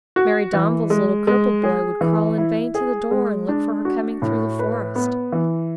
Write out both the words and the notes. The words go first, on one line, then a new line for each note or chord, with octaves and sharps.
Mary Domville's little crippled boy would crawl in vain to the door and look for her coming through the forest.
F#4
E3
G#3
G#3
G#4
E3
E4
G#4
G#3
D4
F#4
A2
B4
B3
E3